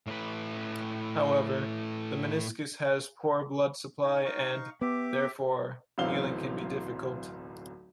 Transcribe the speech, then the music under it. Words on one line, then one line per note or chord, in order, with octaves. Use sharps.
However, the meniscus has poor blood supply, and, therefore, healing can be difficult.
A2 B4
D#4 G#5
D#4 F5 C#6
B3 G4 E5 D6
D1 B1 E3 C4 F5 G7